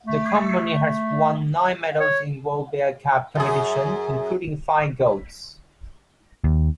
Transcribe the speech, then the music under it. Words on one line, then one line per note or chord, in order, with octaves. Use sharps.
The company has won nine medals in World Beer Cup competition, including five golds.
A3
C#5
F#2 G#4
D#2